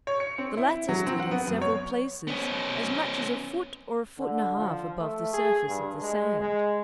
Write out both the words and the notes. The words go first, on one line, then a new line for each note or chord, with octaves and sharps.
The latter stood in several places as much as a foot or a foot and a half above the surface of the sand.
C#5
C#7
C4
E4
F#3
C4
F#5
B3
F#2
C#5
B3 C#4
D3
F3
A3
G#4
G2
G#3
G#3